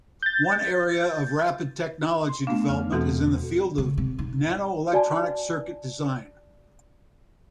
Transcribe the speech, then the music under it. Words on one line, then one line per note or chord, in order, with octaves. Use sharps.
One area of rapid technology development is in the field of nanoelectronic circuit design.
G6 A6
C6
A3 B3 D4 F5
F2 F6
E2 B2 E3 C4 F#4 A4
C#3
C3
D#4
F#4 D5 G#5 A5